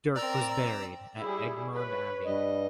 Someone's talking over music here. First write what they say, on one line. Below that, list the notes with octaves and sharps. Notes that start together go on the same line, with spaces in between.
Dirk was buried at Egmond Abbey.
C4 A#4 D5 A#5 E6
G3 E4 G#4
B4 C#5
G2 G3 D#5